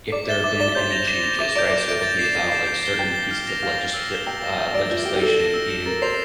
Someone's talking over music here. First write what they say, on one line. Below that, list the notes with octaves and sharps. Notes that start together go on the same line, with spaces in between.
if there have been any changes," right? So it'll be about, like, certain pieces of legisri uh, legislation in
D5 D6
E5 A6 E7 G7
E5 D6
D5 A6 E7 G7
C5 G6
A#6 F7
G6
A#6 F7
E5 D6
D5 G6 D7
E5
D5 D6
G6 D7
A6
C7 E7
F5 A6
C7 E7
G6
C7 G7
G5 G6
C7 G7
F6
A#6 F7
F5 F6
A#6 F7
E6
A#6 E7 G7
G5 E6
F5 A#6 E7 G7
E5 G6
D5 D7 G7
F4 G6
G4 D7 G7
G4
A4 E6
A#6 E7
E6
A#6 E7
A#4 A6
C5 C7 F7